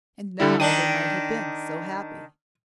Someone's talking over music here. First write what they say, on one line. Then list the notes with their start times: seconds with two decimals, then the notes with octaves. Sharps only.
And now they might have been so happy!
0.40 D3 G3 E4
0.60 D#3 D4 D#7